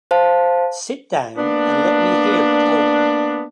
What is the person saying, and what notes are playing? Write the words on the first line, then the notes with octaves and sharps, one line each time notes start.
Sit down, and let me hear it all.
C5 F5 A5
A#3 B3 D4